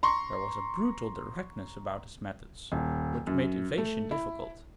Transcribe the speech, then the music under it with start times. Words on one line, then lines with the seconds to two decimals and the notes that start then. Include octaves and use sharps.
There was a brutal directness about his methods which made evasion difficult.
0.03 A#5 C6 C#6
2.72 D#1
3.27 F#2
3.78 A3
4.11 E4